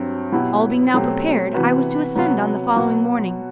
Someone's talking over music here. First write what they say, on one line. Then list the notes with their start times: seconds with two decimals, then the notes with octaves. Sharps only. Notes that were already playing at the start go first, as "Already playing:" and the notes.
All being now prepared I was to ascend on the following morning.
Already playing: G2 F#3 C4
0.32 B2 F#3 B3 E4 G4
0.94 B2 F#3 A3 C4 G4
1.54 C3 E3 B3 F#4 B4
2.15 C3 F#3 B3 F#4
2.76 B2 F#3 B3 F#4